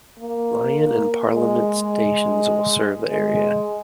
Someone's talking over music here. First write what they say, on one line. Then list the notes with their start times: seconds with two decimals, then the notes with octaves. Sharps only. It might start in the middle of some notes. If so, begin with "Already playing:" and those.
Lyon and Parliament Stations will serve the area.
0.19 A#3
1.35 G#3
3.09 G#3